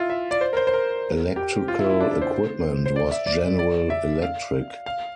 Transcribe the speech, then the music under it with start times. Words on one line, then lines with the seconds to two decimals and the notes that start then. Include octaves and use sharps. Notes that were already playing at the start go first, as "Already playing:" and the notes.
Electrical equipment was General Electric.
Already playing: E4 F4
0.10 E5
0.31 D5
0.41 C5
0.53 A#4
0.57 C5
0.67 C5
0.74 A#4
1.36 G4
1.68 F4
1.79 E4
1.90 E4
2.00 D4
2.11 E4
2.22 C5
2.86 C5
2.96 D5
3.11 E5
3.27 D5
3.59 D5
3.90 E5
4.22 F5
4.86 F5